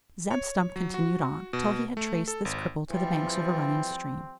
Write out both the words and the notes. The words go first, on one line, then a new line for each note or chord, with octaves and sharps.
Zeb Stump continued on, till he had traced this cripple to the banks of a running stream.
C#5
F#3
F#4
B2
A3
A4
G#1
E3 F3 G3 C4